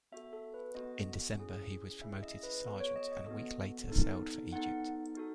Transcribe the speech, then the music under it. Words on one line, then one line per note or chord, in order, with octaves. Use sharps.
In December, he was promoted to sergeant and a week later sailed for Egypt.
B3 F#4 A4 E5
A4
B4
B3 F#4 A4 D#5
C#4 E4 G#4
C#4 E4 G#4 E5
D#5
B4
B3 F#4 A4
C#5
D#5
D#5
B3 F#4 A4
B3 D#4 A4
B3 D#4 A4 F#5
D#4 F#4 A4